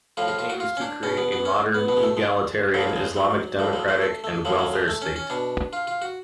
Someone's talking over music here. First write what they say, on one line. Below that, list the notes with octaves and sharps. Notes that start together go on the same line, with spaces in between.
It aims to create a modern, egalitarian, Islamic democratic and Welfare state.
A2 F3 F4
F4
F4
F#4
F4
C#4
D4
B2 C#4
B3
B3
C#4
B3
B2 B3
G#3
A3
G#3
A2 F3 F#3
G#3
F#3
A2 F3
F#3
F#3
A3
A3
A2 F3 F#3
F#3
G#3
A3
C#4
C#4
B2 D4
F4
F4
F#4